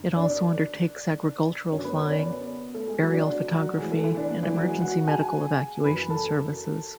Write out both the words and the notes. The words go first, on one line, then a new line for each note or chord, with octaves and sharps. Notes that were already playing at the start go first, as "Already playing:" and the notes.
It also undertakes agricultural flying, aerial photography and emergency medical evacuation services.
Already playing: F#2 D3
D4 D5
F#2 D3 C#4 C#5
B3 B4
B3 B4
D5
C#4 C#5
B3 B4
A3 A4
G#3 G#4
F#3 F#4
D4
D4
F#3 F#4
A2 E3 G#3 G#4
A3 A4
E3 E4
D4
D4
E3 E4
F#3 F#4
G#3 G#4
F#4 F#5
G#4 G#5
F#2 E3 B4 B5
A4 A5